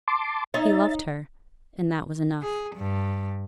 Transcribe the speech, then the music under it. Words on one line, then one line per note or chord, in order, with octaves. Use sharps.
He loved her, and that was enough.
A5 C6 D6
D#4 C#5 E5 A6
G#4
G2